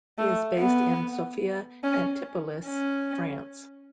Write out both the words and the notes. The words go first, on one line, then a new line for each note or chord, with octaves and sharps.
He is based in Sophia Antipolis, France.
A3
B3
C#4
C#4